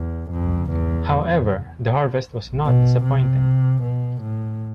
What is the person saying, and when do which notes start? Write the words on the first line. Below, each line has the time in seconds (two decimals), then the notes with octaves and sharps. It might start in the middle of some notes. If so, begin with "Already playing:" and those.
However, the harvest was not disappointing.
Already playing: E2
0.31 F2
0.70 E2
2.65 B2
3.04 C3
3.83 B2
4.21 A2